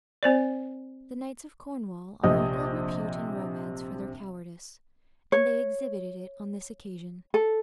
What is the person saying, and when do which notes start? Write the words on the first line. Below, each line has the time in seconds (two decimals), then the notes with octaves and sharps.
The knights of Cornwall are in ill repute in romance for their cowardice, and they exhibited it on this occasion.
0.23 C4 C5 D5
2.23 A#1 C3 C4 D#5 D#6
5.32 C#5
7.34 A4